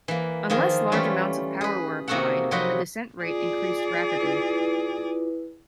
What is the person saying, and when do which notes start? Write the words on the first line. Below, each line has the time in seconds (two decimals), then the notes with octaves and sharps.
Unless large amounts of power were applied, the descent rate increased rapidly.
0.08 E3 A#3
0.50 D#3 F3 A#3 F4 G#4
0.92 E3 G3 A3 C#4 F4
1.61 G#4 B4
2.08 C3 A#3 D#4 F#4 A4 F#5
2.51 C3 F3 F#3 D#4 F#4 B4
3.23 F4 G#4 D5
4.21 E4 B4